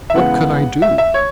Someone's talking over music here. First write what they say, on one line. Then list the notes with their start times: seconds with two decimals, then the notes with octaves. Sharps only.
What could I do?
0.10 E5
0.15 C#3 E3 G#3 B3 F#5
0.82 E5
0.98 E5
1.14 C#5